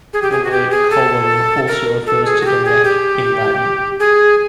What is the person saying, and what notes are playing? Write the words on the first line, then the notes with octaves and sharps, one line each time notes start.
The word "collum" also refers to the neck in Latin.
G#4
G4
G#4
F#4
G4
G#4
A4
A#4
A4
G#4
F#4
G4
G#4
G4
G#4